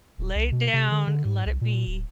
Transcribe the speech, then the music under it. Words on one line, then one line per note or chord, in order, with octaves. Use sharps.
lay it down and let it be,
D#1
C2
B2
C3
D3
D3
G#2
C2
A#2
D1